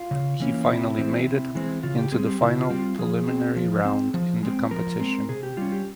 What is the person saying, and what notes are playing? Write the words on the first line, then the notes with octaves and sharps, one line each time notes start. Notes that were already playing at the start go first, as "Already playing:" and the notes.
He finally made into the final preliminary round in the competition.
Already playing: F4
C#3
E3 A#3 C#4
F4
C3 E4
E3 G#3 C4
C3
E3 G#3 C4
C#3 F4
G4
G3 C4 G#4
G4
C#3 E4
F4
G3 C4 G4
F4
F3 G#4
C4
F3
C4
F3
G#3 C4
F3 A#4
G#3 C4
C3 G#4
G4
G3 C#4 F4
G4